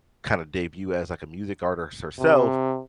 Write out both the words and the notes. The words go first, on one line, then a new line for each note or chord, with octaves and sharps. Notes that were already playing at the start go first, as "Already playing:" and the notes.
kinda debut as, like, a music artist herself,
C3